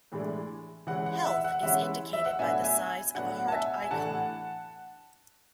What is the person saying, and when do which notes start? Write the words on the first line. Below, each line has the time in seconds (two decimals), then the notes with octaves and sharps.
Health is indicated by the size of a heart icon.
0.12 A2 E3 G#3 D4
0.87 E3 G#3 C#4 F#5
1.06 F#5
1.25 E5
1.44 F#5
1.63 E3 G#3 C#4 E5
2.13 E5
2.25 F#5
2.39 A2 F#3 B3 D4 E5 G#5
2.64 E5 G#5
3.15 A2 F#3 B3 D4 F#5
3.48 A5
3.52 E5 G#5
3.82 G#5
3.90 A2 E3 A3 D4 F#5 A5